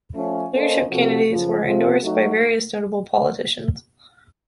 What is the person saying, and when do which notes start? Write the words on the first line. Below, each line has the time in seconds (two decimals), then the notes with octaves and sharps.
Leadership candidates were endorsed by various notable politicians.
0.15 F3 A3 C#4
0.52 A#3 C#4 A4 C5 D#5
0.90 C3 F3 C4 F#4 A4
1.27 F#2 C#3 F3
1.64 C3 F3 A3 C4 F4
2.02 F#3 A3 D#4 F#4